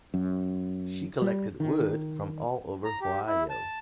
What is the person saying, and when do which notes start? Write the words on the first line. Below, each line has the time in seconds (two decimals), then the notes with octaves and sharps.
She collected wood from all over Ohio.
0.14 F#2
1.22 G3
1.60 D#3
2.85 A#5
3.01 G4
3.27 E4
3.50 A5